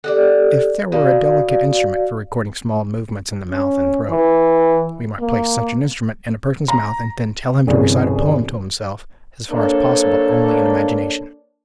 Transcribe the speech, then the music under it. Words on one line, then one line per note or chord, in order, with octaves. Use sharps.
If there were a delicate instrument for recording small movements in the mouth and throat, we might place such an instrument in a person's mouth and then tell him to recite a poem to himself, as far as possible only in imagination.
G4 A4 D5 D#5 F#5
B2 F#4 D5 F5
C#4
E3
A#3
A#5
G1 C2 E3 C#4 G#4 D5
A#3 D4 A4 C5 C#5